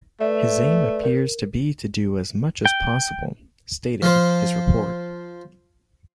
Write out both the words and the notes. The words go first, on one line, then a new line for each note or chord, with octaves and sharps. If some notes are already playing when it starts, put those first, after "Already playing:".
His aim appears to be to do as much as possible, stated his report.
A3 B4 D5 E5
A#4
G5
F3 F4 C5